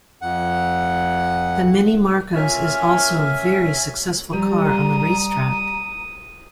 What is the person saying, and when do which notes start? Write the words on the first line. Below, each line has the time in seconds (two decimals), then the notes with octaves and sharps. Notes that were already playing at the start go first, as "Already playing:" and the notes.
The Mini Marcos is also a very successful car on the race track.
0.22 F2 F#5
2.36 A#3 C#4 F4 E5 G#5 F6
4.33 G3 A#5 D#6